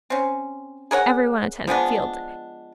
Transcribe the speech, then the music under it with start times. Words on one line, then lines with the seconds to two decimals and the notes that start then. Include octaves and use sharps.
Everyone attended Field Day.
0.10 C4 C#4
0.91 G#4 A#4 C#5 F#5
1.67 F3 G#3 B3 D4